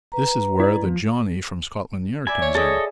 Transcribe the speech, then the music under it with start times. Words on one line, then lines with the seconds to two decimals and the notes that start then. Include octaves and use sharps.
This is where the Johnny from Scotland Yard comes in.
0.12 B4 A#5
0.60 E4 D5
0.84 F3
2.27 D5 E5 G#5 B5
2.42 C#5
2.55 G#4 A4 D#5 E5